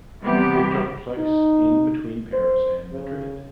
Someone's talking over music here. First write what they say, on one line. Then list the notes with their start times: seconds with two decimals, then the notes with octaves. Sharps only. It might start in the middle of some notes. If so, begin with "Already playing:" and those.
It took place in between Paris and Madrid.
0.23 C3 E3 G3 B3 G4
1.18 D#4
2.33 C5
2.92 C#3